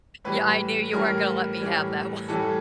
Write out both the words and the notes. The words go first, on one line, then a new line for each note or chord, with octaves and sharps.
Yeah, I knew you weren't gonna let me have that one.
A2 E3 G3 B4
A2 E3 G3 A#4
A2 E3 G3
A2 E3 G3 A4